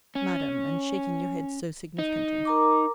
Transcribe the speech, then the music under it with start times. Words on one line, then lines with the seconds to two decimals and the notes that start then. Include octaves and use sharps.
Madam, and shaking your head so significantly?
0.15 C#4
1.98 D#4
2.45 A#4 A#5 D6